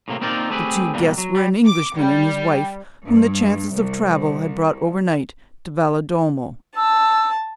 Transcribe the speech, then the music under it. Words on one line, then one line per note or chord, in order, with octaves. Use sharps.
The two guests were an Englishman and his wife, whom the chances of travel had brought over night to Valedolmo.
A2 C3 A#3 C4
A#3 C4 D#4 F4 A#4 D5
A3 C4 G4 G#4 B4
E2 G2 B2 D3 G3 A#3
F#3
G3
D6
G3
G2
C2
A5 E6